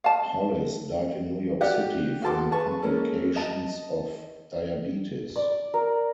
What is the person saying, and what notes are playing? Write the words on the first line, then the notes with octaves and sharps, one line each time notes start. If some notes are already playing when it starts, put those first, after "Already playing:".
Hollis died in New York City from complications of diabetes.
F5 A5
F#4 G4 D5 F#5
F#4 G#4 A4 A5 C6 D6
G#4 B4 A5 C#6
G#3 A#3 C#4 A4
D#5 A5
D5
A#4